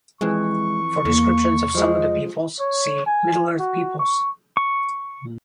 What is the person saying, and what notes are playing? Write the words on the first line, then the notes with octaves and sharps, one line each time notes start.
For descriptions of some of the peoples, see: Middle-earth peoples.
F2 E3 G#3 C#6
E2 A#3
F3 G#3 D#5
C#5
G#5
F#4
C#6
C#6